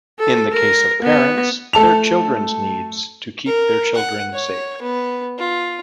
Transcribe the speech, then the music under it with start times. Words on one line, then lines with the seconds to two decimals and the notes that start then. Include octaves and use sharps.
In the case of parents, their children's needs to keep their children safe.
0.19 A4
0.53 A#4
1.03 B3
1.73 A3 A4 A5 F7
3.46 A#4
3.95 F#5
4.33 C#5
4.81 B3
5.38 F4